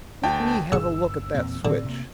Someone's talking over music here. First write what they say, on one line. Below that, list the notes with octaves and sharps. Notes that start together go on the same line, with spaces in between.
"Let me have a look at that switch."
D2 G5 A5
G1 G2 C#3 C#6 E6
E2 A#2 C4
A2 D3 C4
C3 A#3